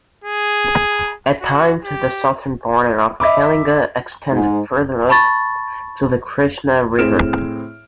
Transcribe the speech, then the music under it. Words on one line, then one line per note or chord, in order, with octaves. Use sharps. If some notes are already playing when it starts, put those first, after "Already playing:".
At times, the southern border of Kalinga extended further up to the Krishna river.
G#4
F#4
G4
D#5 E5 B5 D6
G#2
A5 B5 C#6 A6
A2 C4 G#4 F6 D7 E7